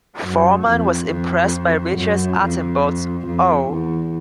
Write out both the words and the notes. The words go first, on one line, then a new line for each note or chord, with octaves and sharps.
Foreman was impressed by Richard Attenborough's Oh!
F#2
F2
F2
F#2
F2
F2
E2